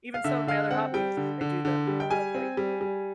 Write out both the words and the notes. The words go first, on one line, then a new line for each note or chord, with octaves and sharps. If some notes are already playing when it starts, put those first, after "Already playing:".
Even some of my other hobbies I do them, uh, like
F5
D3 E5
D3 F5
C4 F#5
G3 G5
D3
D3
D3
G3
G5
G3 G#5
C4
G3
G3